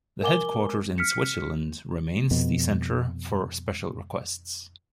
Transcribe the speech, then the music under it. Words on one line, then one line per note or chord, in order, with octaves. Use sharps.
The headquarters in Switzerland remains the center for special requests.
A#4 G#5 D6 G7
F6 B6 C#7
F2 B2